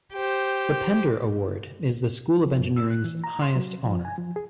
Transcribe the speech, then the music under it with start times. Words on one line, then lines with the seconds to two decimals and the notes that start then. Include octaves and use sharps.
The Pender Award is the School of Engineering's highest honor.
0.13 G4 C5
2.46 F3
2.59 F#2
2.76 E6
2.90 F#6
3.04 E3
3.24 A#5
3.42 C6
3.56 F#3
3.84 F3
4.05 G#5
4.18 F3
4.36 G#4